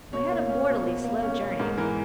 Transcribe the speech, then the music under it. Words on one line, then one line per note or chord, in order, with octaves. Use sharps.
We had a mortally slow journey.
B2 C#5
A#3
C#4
B2
B2
A#3
C#4
B2
G#2 A#4
E3 A#4